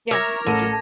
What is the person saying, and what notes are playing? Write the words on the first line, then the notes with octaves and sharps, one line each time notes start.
Yeah, they just
A#4 C#5 E5 D6 G#6 A#6
A1 A2 A4 D#7